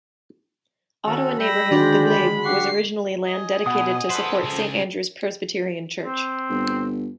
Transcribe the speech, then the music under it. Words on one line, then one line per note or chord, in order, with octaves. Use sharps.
Ottawa neighbourhood The Glebe was originally land dedicated to support Saint Andrew's Presbyterian Church.
D#3 C#4 F#4 A4
G3 G5 B5 E6 A#6
D3 D#3 G#3 D4 F#4 C5 D5 G5
B5
G4 F#5 C#6 C7
D#5 G#5
B2 F#5 D#6
A4 B4 C5
C#2 G#4
C4
G1